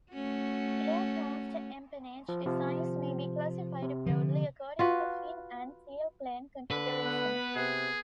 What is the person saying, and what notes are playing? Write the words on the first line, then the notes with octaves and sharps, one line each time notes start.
Aircraft empennage designs may be classified broadly according to the fin and tailplane configurations.
A3 C#4 F#4
F3
C3 F3
C3
D3 F3
F4 F#4 B4
D3 B4
B3 F#5
C3 G#4